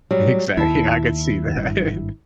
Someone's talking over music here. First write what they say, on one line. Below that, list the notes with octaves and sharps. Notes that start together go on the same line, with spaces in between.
Exactly I could see that.
F#3 G3
D#2 D#3 E4 A5
G#1 G2